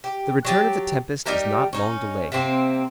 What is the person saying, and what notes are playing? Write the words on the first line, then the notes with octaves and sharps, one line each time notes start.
The return of the tempest is not long delayed.
G4
F#3 G4 A5
G3 D#4 G4 A#4
C#4 D#4
C3 A#3 C4